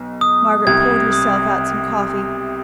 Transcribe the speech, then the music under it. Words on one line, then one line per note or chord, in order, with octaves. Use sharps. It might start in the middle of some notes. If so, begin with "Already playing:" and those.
Margaret poured herself out some coffee.
Already playing: B1 B2
D#6
C2 C3 G#6
D#6